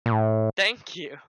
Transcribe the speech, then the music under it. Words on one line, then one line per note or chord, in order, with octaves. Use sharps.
Thank you.
A#2
A2